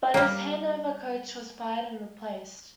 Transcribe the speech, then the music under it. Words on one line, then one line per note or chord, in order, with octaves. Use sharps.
But his Hannover coach was fired and replaced.
G3 A#3